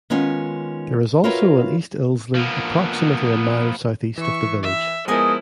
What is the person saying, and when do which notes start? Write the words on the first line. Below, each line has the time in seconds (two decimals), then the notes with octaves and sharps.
There is also an East Ilsley approximately a mile southeast of the village.
0.10 D#3 G#3 B3 C#4 F4
1.24 F4 F#4 A#4 B4 C#5 E5
2.35 F3 A#3 B3
4.18 E3 E5 C#6
4.63 E5
5.08 F3 G#3 B3 E4 A#4 D#5 G#5 D#6